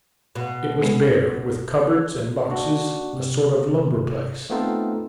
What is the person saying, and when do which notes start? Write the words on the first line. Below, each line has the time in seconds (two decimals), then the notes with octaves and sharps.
It was bare, with cupboards and boxes, a sort of lumber-place.
0.35 B2
0.81 C3 G#3 B3
2.50 A#3 D4 F#4
3.13 C3
4.50 A3 B3 C4 D#4 F4 A4